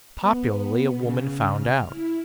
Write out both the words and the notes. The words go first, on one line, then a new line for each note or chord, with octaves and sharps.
Popularly, a woman found out.
B3
C#3
F6
E4